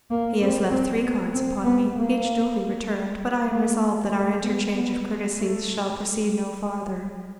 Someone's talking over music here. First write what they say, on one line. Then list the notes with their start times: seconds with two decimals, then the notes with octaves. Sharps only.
He has left three cards upon me, each duly returned; but I am resolved that our inter-change of courtesies shall proceed no farther.
0.10 A#3
0.41 C4
0.71 C4
1.02 B3
1.34 C4
1.64 B3
1.96 A#3
3.51 A#3
4.12 A3
4.43 B3
4.75 B3
5.37 A3